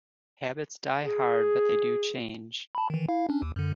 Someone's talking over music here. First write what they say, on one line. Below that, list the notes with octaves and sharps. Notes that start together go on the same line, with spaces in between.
Habits die hard, but they do change.
G#4
A5 B5
D#3 E3
E4 F5
C#4 D4
D#2
F#2 D3